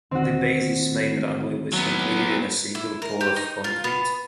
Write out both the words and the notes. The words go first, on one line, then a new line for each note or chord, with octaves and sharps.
The base's main runway was completed in a single pour of concrete.
D#2 D3 D#3 C4 F#4
F#3 B3
E4
A#4
G4
D#4
F4
B3